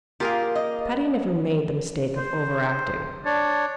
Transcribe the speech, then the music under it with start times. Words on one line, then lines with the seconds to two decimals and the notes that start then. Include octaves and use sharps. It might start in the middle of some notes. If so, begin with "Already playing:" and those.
Patty never made the mistake of over-acting.
0.20 A#3 F4 G4 G#4 A#4
0.55 D#5
2.17 C5
3.25 D4 C#5 D5